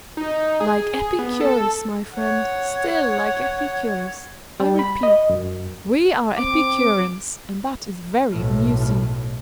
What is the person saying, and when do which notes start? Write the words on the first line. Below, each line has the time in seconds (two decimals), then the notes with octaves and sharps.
"Like Epicurus, my friend, still like Epicurus; I repeat, we are Epicureans, and that is very amusing."
0.17 D#4
0.60 G#4
1.19 B3
1.41 A4
2.14 C#5 F#5
4.60 G3
4.79 B5
5.03 D#5
5.30 F#2
6.36 C4 D6
8.31 B1 A2